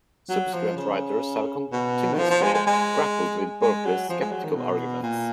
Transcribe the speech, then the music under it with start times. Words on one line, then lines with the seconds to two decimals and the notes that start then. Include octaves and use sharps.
Subsequent writers have continuously grappled with Berkeley's skeptical arguments.
0.29 F#3
0.53 F3
0.77 C#3
1.72 B2
2.14 D#3
2.19 F3
2.30 F3
2.42 G#3
2.54 G#3
2.67 G#3
3.62 G#3
3.85 F#3
4.09 F3
4.21 G#3
4.32 F#3
4.44 D#3
4.56 B2
5.03 A#2